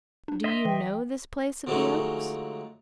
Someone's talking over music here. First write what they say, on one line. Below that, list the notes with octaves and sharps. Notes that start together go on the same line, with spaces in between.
Do you know this place of the oaks?
D4
D#5 E5 C6
E3 G5
D3 F3 F#3 G#3 A3 D#4